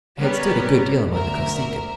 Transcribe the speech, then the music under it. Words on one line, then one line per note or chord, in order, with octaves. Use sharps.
I had stood a good deal among the Kosekin.
G3 B3 C#4 G4 A#4
D2 A#4 E5